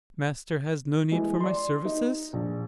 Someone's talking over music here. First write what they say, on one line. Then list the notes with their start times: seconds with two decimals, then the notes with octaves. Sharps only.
"Master has no need for my services?"
1.11 E3 G#3
1.40 D5 C6
1.85 D#4
2.33 A#1